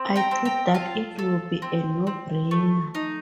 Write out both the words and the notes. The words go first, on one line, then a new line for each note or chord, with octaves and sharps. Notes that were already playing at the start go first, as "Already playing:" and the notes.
I thought that it would be a no-brainer.
Already playing: C4
G5 A#5
C4
G5 A#5
F4 F5 A5
A4
C4
C4
A3
D#4